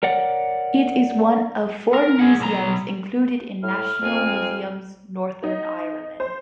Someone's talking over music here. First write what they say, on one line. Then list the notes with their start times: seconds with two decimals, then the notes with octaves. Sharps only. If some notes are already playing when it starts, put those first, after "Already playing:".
It is one of four museums included in National Museums Northern Ireland.
0.03 A#4 C#5 D5 F#5
1.94 A#4
2.19 G#4 F#5
2.40 B1 A#5
3.63 A2 F6
4.02 F2 C4 G#5
5.43 D#4
6.20 C5